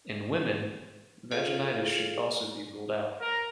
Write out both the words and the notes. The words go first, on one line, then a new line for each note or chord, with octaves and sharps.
In women, vaginitus should also be ruled out.
F4 G#4 A4 C#5 F5
A#4